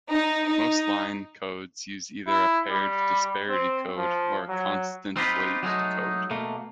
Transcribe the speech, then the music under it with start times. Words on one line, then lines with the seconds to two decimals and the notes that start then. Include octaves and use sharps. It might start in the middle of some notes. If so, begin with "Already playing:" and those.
Most line codes use either a paired disparity code or a constant-weight code.
0.11 D#4
0.45 D#4
2.27 E4
2.70 G3
3.49 C4
3.98 F3
4.49 F#3
5.17 C4 D#4 F4 G4 B4
5.63 F#3 G#3 A3 D#4
6.31 B2 A3 A#3